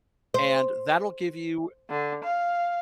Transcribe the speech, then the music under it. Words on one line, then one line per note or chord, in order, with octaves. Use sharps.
and that'll give you"
C5
D3
F5